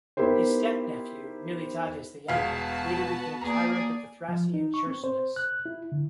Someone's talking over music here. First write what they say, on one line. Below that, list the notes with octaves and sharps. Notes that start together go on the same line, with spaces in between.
His step-nephew, Miltiades the Younger, later became tyrant of the Thracian Chersonese.
B3 D#4 E4 G4 A#4 C5
E1 B3 F#4 G#4 F5 A5
A#3 G#4 D5 A#5
F3
D#4
C#6
C4
C5
F#6
E4
D3